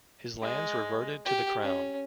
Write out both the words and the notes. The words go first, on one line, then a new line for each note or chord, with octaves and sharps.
His lands reverted to the Crown.
G#3
G4
C#4